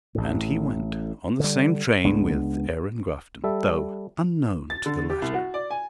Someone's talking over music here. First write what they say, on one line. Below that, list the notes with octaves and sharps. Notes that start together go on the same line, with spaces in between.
And he went, on the same train with Aaron Grafton, though unknown to the latter.
A1 A2
D3 G3
C#2 G#3 B3 D4
G3 A4 E5
A6
D3
G4
C2
F#4
D5
G#5